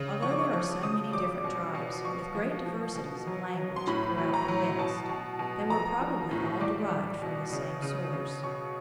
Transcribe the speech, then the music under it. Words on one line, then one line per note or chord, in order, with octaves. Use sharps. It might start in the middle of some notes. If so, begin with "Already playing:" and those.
Although there are so many different tribes, with great diversities of language, throughout the West, they were probably all derived from the same source.
Already playing: C#3
F3 C#6
D6
C#6
F3 C#6
C#3 D#6
G3 D6
B2
B2
F3 C#6
F3
F3
B2
F#3
F#3
C6
A2 B5
F#3
A#5
F#3
B2 A5
B2
B2
F3 A#5
F3
A2
G3 D6
G3
B2
C#3
C#3
C#3
B2 C#6